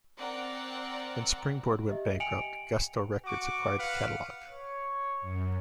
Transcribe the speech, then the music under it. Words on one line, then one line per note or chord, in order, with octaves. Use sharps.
When Springboard went bankrupt, Gusto Records acquired the catalog.
C4 A#4 D5 F#5 G5 A#5
G4 D#5 E5
G5 G#5 C#7 D7 F7 F#7
F#4 C#6 D6
B4 F5 F#5
C#5
F#2